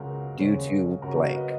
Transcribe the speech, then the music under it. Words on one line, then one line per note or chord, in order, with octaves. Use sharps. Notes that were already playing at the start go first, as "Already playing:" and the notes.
due to blank."
Already playing: C#2 C#3 G#3 B3 F#4 A#4
D#2 C#3 G#3 C#4
C#3 F#3 C#4 F#4 A#4
B4 D#5